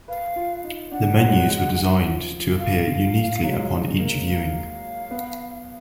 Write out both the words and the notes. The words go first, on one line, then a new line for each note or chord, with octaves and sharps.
The menus were designed to appear uniquely upon each viewing.
B4 F5
F4
D#4
D4 F#5
F#3
G#3
F#3
G#3
F3
F3
F5
F#3
G#3
F#3
A#3
F5
B3